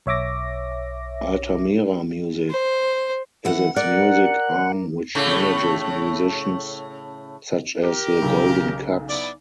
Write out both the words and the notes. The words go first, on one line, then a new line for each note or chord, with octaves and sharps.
Altamira Music is its music arm which manages musicians such as The Golden Cups.
B1 C#5 E5 D6 A#6
C5
E3 F#5
A#4 D5 F#5
A2 C#3 A3
G4 A#4
B1 C#3
B3 E4 D5